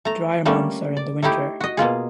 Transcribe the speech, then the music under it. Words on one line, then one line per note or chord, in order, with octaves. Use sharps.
The drier months are in the winter.
A3 A#5
G3 A3 A#3 C#4
D5
A3 D#4 E4 G4
F#4 D#5
B2 A#3 F4 G#4